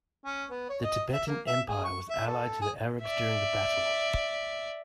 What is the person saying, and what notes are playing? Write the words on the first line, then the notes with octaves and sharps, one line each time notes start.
The Tibetan Empire was allied to the Arabs during the battle.
C#4
B3
C#5
D#5
E5
A#3
E5
G#4
C#6
E5
A4
G#4
D5 E5